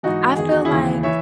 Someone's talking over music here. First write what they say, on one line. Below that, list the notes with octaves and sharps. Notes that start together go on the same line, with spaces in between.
I feel like
G#2 E3 D#4 F#4
E2 D#3 G#4
F#4
E4 G#4
D#2 C#3 E3
E3 C#5 E5